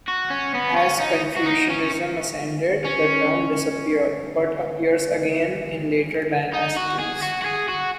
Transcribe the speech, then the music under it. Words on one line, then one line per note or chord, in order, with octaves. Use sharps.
As Confucianism ascended the term disappeared, but appears again in later dynasties.
F#4
C#4
B3
C#4
D#4
F#4
D#4
C#4
C#4
D#4
F#4
G#4
F#4
F#4
G#4
F#4